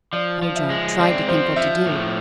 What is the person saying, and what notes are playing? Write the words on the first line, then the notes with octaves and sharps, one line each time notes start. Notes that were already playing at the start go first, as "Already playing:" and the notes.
Ojo tried to think what to do.
F3 D5
F3
E5
G#3
C4 D5
F3 C5
F3 E5
A2